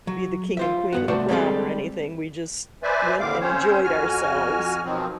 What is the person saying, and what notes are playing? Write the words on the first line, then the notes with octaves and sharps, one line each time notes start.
be the king and queen of the prom or anything, we just went and enjoyed ourselves,
F#3
F4 C5 E5
G2 B3 F#4
C2 A3 F#4 C5 D5 E5
G3 G#3 B3 C4 G#4 A4
B4 C5 D5 E5 G#5
D#2 A2 D3 C4 F5 D6
C4 C#4 C5 C#5
F2 F#4 G#5 F6
B2 D#3 F3 F#3 C4